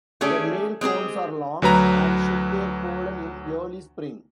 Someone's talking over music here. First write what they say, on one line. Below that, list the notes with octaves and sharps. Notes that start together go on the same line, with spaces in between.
The male cones are long, and shed their pollen in early spring.
A3 C#4 D4 G4 G#4
G#3 C4 G4 G#4
D2 F#3 B4 A#5